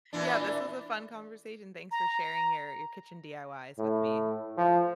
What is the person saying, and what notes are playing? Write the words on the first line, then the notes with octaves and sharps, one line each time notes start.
Yeah, this was a fun conversation. Thanks for sharing your your kitchen DIYs with me.
A#2 E3 D4
A#5
A2
F3